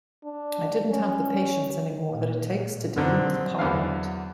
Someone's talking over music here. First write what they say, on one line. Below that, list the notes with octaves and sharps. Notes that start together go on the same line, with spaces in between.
I didn't have the patience any more that it takes to deal with Parliament.
D4
C#4
A#2
B2 D3 D#3 F#3 C4
E2 D3 F#3 F5